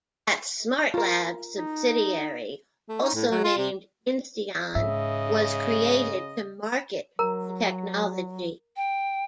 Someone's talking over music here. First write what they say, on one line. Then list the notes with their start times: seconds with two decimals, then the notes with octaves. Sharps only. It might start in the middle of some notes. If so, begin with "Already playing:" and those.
A Smartlabs subsidiary, also named Insteon, was created to market the technology.
0.94 F4 A#4
1.57 D#4
2.89 A3
3.02 D#4
3.14 A2
3.31 F#3
3.44 F4
3.58 C3
4.75 G#2 C#3 D#5 E5
7.19 F#3 A#4 A#5
8.76 G5